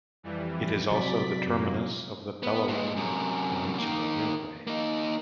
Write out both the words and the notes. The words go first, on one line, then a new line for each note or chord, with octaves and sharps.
It is also the terminus of the Bellarine Peninsula Railway.
F2 E3 G3
C3 F#3 D5 B6
F#2 A#3
B3
A#2 G#3
F#2 C3
D#3 A#3
A#3 D#4